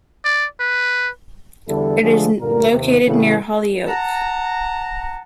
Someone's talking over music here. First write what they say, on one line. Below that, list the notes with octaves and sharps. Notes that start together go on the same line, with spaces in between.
It is located near Holyoke.
D5
B4
E2 D3 G3 E4 A4
D3 F3 G#3 A3 G#4 A4
G2 A#2 D3 A#4
D#2 C3 D#3
A2 C#3 E3 G3 A3 B3
F#5 A5 A#5